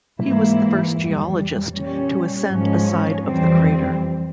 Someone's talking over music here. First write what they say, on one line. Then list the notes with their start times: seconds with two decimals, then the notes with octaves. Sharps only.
He was the first geologist to ascend a side of the crater.
0.21 G#2 E3 A#3 E4
0.97 F2 E3 G3
1.73 A#2 G3 C#4
2.50 G#2 F3 G#3 C#4
3.26 F2 E3 G3 C4